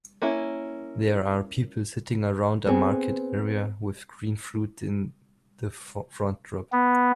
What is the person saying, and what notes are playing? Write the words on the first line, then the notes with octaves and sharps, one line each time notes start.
There are people sitting around a market area with green fruit in the front drop.
A#3 C#4 E4
B3 C4 G#4
B3